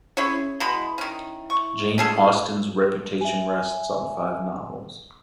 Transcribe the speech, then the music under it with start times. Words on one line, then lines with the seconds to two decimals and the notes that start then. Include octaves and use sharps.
Jane Austen’s reputation rests on five novels.
0.17 C#4 E4 G#4 C#5
0.60 B2 G#3 E4 B5
0.98 D#3 C#4
1.50 C#6
1.98 C#4 G#4 A4
3.21 E5 G#5